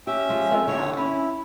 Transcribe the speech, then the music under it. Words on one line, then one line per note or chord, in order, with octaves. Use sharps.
so yeah, I'm
C#4 G4 E5
F3 G#3
C4 A4 A#4
D3 E4 C#5
C#4 E4